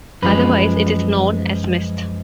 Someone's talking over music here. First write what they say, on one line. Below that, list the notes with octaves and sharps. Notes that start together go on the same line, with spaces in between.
Otherwise it is known as mist.
F#2 F3 G#3 B4